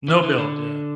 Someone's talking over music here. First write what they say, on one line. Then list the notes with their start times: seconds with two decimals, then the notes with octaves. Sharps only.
No build, yeah.
0.08 E3
0.23 E3
0.38 D3